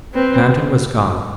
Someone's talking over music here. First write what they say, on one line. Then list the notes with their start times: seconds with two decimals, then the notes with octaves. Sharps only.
Manton was gone.
0.14 C4 B4